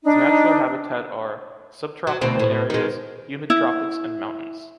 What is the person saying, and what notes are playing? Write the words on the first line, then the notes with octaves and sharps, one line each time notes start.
His natural habitat are: subtropical areas, humid tropics and mountains.
D4 D#4
F#3
D2 B2 C4
A2
D#3 G#3
E4